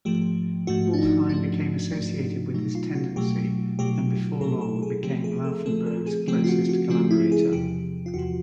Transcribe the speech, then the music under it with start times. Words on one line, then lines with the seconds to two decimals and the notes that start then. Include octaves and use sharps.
Wolffheim became associated with this tendency and before long became Laufenberg's closest collaborator.
0.05 G#2 F3 A3 G4
0.67 G#2 F3 A3 F#4
0.94 D4
0.98 D#4
1.29 G#2 F3 A3 D4
1.92 G#2 F3 A3 D4
2.54 B2 F#3 A3 D#4
2.75 F4
2.95 F#4
3.16 B2 F#3 A3 G4
3.79 B2 F#3 A3 G4
4.41 B2 F#3 A3 A4
4.61 A4
4.76 A4
4.82 G#4
5.03 C#3 F3 A3 C4 G4
5.24 G#4
5.45 A4
5.65 C#3 F3 A3 C4 A4
5.86 A4
6.07 G#4
6.28 C#3 F3 A3 C4 G4
6.44 F4
6.48 F#4
6.69 F#4
6.90 C#3 F3 A3 C4 F4
7.11 E4
7.32 G#4
7.52 E2 C3 F3 G4
8.06 F4
8.14 E2 C3 F3 F#4